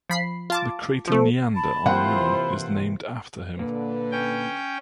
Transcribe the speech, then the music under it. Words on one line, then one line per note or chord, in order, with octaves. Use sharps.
The crater Neander on the Moon is named after him.
F3 B5 C7
F4 A5 D6
F3 A3
A5 B5
C3 E3 A#3 E4 F4 C5 F#5 G5
A#2 D3 B4
C#4 G5